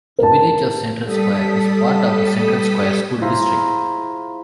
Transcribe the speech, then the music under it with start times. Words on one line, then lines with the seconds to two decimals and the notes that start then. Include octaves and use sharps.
The village of Central Square is part of the Central Square School District.
0.19 A#4 A5
1.04 G3 A4 D#6 B6
3.21 E4 F4 G#4 C5 A#5 B5